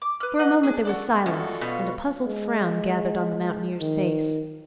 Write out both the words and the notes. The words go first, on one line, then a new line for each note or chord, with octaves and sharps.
For a moment there was silence and a puzzled frown gathered on the mountaineer's face.
D6
B4 F6
B4 D#5 F#5
D4 G#4
F#4 A4 D5
F#2 F4 F#4 A4 D5 D#5
B2 F5 D#7
G#3
D#3